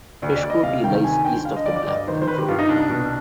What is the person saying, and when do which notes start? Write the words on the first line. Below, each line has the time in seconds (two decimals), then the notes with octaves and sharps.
Peshkopi lies east of the Black Drin river.
0.22 D2 D5
0.37 D5
0.44 D2
0.50 D#5
0.63 C3 F5
0.84 D#3 G5
1.04 D2 G#5
1.25 D3 G5
1.45 D3 F5
1.56 D#5
1.66 D2 D5
1.76 D5
1.87 G2 D#5
2.07 D#3 C5
2.22 C5
2.28 D#3 B4
2.38 G4
2.48 G2 F4
2.59 D#4
2.69 C2 D4
2.90 B2